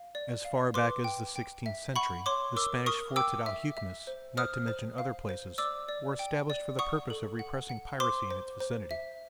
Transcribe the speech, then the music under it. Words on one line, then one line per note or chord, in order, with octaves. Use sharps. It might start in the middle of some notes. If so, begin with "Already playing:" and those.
As far back as the sixteenth century the Spanish forts at Alhucemas--not to mention other places--were established for the purpose of repressing piracy in its vicinity.
Already playing: F5
D5
F5
B4 C6 D6
G5
G5
E5
F#5 B5 C#6
C#5 C6 D6
A#4 D6 E6
A#4 C#6 D#6
G5 D6 E6
E5
E5
C5
C5 D#6 F6
C5
F5
C5
D5 D6 E6
D5
G5
D5
F#5 C#6 D#6
A4
F#5
F#5
C5 C6 D6
C5
C5
E5